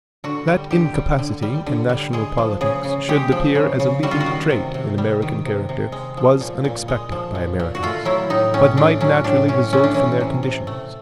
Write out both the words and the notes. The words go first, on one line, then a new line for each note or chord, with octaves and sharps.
That incapacity in national politics should appear as a leading trait in American character was unexpected by Americans, but might naturally result from their conditions.
D3 F#4
G3
D3 G4
G3
D3
G3
D3
G3
G#3 G#4
F3
C#3 G#4
C#3
G#3 G4
F3
C#3
C#3
G3 F#4
F4
F#4
D#3
C3
C3
G3
D#3
C3
C3
G#3
F3
A#2
A#2
G#3
F3
A#2
A#2
F#4
A3 F4
F#3 E4
A2 D#4
A2 C#4
A3 D4
F#3 C#4
A2 D4
A2 C#4
A3 C#4
D4
E3 C#4
C3
C3
A3